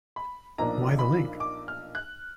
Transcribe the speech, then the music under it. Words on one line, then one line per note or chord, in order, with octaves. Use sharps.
Why the link?
B5
B1 A#2 F3 A#3 D4 A#5
B5
D6
F6
F#6